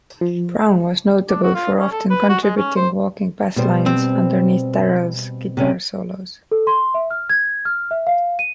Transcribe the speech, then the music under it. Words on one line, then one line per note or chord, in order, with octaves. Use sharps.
Brown was notable for often contributing walking basslines underneath Darrell's guitar solos.
F3
D4
F#4
F4
C#4
A4
B4
F#4
G#3
C#4
C5
B2 G3 C5
C4
C3 C#4
A4
C6
E5
F6
G#6
F6
E5
F5
D#7